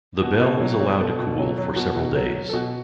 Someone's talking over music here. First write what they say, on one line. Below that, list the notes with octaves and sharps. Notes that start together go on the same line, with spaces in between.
The bell is allowed to cool for several days.
B2 F#4
B2
F#3
F#3
B2 A4
B2
F#3
F#3
B2 F#4
B2
F#3
F#3
A4
B2 F#4